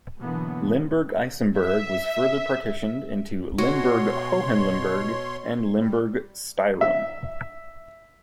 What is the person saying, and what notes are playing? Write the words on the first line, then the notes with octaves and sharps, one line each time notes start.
Limburg-Isenberg was further partitioned into Limburg-Hohenlimburg and Limburg-Styrum.
B2 D3 E3 F#3 A#3 B3
E5
B2 F#4 C#5 C6
G3
E5